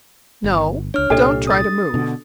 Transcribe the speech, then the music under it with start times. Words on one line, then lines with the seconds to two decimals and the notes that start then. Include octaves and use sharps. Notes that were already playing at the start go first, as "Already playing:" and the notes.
No, don't try to move.
0.44 G1
0.94 C#2 D4 C#5 F6
1.10 C2 A#2 D4 G4 A4 D#5
1.47 D#6 A6
1.94 B2 D3